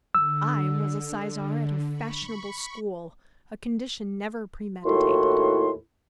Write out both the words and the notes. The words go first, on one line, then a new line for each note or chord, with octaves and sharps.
I was a sizar at a fashionable school, a condition never premeditated.
D3 E6
B5 C#6
D#2 A2 E4 F#4 C6